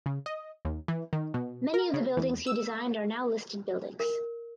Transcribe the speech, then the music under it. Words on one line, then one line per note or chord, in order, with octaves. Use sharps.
Many of the buildings he designed are now listed buildings.
C#3
D#5
D#2
E3
D#3
B2
A#4
C#3
E2
E6
A#4